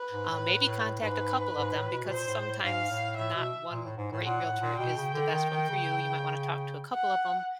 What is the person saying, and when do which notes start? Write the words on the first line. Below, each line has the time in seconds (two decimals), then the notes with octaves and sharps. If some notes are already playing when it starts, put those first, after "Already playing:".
um, maybe contact a couple of them because sometimes not one great realtor is the best one for you, you might wanna talk to a couple of 'em.
Already playing: B4
0.11 G#2
0.30 A2
0.47 A2
0.65 A2
0.84 A2
1.01 G#2 B4
1.55 G#2
1.73 A2
1.90 B2
2.05 B2
2.09 A#2 C5
2.28 A2
2.45 A2
2.63 G#2 F5
2.90 A2
3.17 A2 E5
3.35 B2
3.71 A#2
3.84 A2
3.97 G#2
4.12 A2
4.25 A#2 F#5
4.42 A2
4.60 A#2
4.78 B2 G5
4.97 C#3
5.14 D3
5.32 D#3
5.50 D#3
5.69 C#3
6.94 F#5